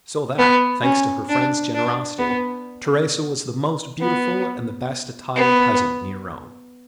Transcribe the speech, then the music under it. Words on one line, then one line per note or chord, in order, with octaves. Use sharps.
So that, thanks to her friend's generosity, Teresa was the most beautiful and the best-attired peasant near Rome.
B3
C#4
D4
D4
B3
B3
B3